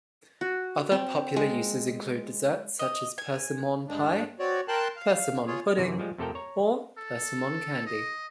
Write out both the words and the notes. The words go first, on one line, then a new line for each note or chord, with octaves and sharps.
Other popular uses include desserts such as persimmon pie, persimmon pudding, or persimmon candy.
F#4
C4
G#3
D#5
G#5
G2 G#3 D4
C4 F#4 C#5 D5
A#4 G5 A5 C6 F#6
F5
F4 G#4 C#5
F#2 C3 D#3 E3
F3 G3 G#3
F2 C3 A3 A4 A#4 G5
C#5 A#5
A4
D#5